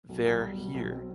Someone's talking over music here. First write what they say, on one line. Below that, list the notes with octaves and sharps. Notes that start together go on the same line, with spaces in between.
They’re here.
B1
B1
G3
B1
B1
C4